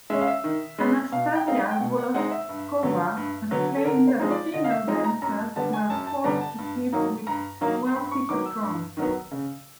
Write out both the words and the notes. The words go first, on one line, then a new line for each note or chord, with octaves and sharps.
Anastasia Volochkova has claimed that female dancers were forced to sleep with wealthy patrons.
G#3 C#4 E5
F5
E5
D#3
G#3 C#4
B2 F5
G5
G#3 C4 D#4 F5
F#5
G5
B2 F#5
F#5
G#3 C4 D#4 F#5
E5
G2
D3 F#3 B3
G2
D3 F#3 B3
A4
D3 A#4
C5
F3 G#3 C4 D#4
D5
D3 D#5
F5
E5
F3 G#3 C4 D#4 A#5
A#5
F#2 A#5
A5
D3 G3 B3 A5
G#5
F#2 A5
A5
D3 G3 B3 A#5
A5
G2
D#3 F#3 A#3 D#4
G2 A#5
D#3 F#3 A#3 D#4
C6
G2 B5
C#6
D#3 F#3 B3 D6
E6
G2
D#3 F#3 B3
C#3